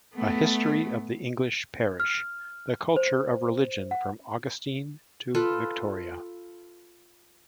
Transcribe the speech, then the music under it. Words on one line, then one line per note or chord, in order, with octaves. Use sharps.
"A History of the English Parish: The Culture of Religion from Augustine to Victoria".
A3 B3
F6
C5
F#5
F4 A4 B4